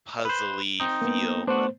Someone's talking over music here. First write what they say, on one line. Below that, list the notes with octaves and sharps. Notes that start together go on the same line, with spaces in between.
puzzle-y feel but,
B4 C5
C4 D#4
A#3 B3
A3 B3 D4 F#4 C5